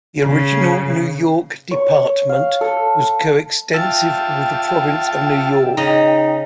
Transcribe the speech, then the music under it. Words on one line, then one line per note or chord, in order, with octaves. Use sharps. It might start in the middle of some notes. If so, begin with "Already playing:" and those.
The original New York Department was coextensive with the Province of New York.
C#3
C#5
F5
A4
F4 E5 G5 A5
C#3 D#4 D#5